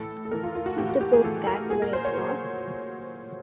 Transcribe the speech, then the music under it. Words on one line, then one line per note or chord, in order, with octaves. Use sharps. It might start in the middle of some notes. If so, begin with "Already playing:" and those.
Put the book back where it was.
Already playing: A2 E3 A4
A4
A2 E3 A#4
F4
F4
F#4
A2 E3 G4
F#4
G4
G#4
A2 E3 A4
A#4
A#2 F#3 G#4
A#4
C5
C#5
A#2 F#3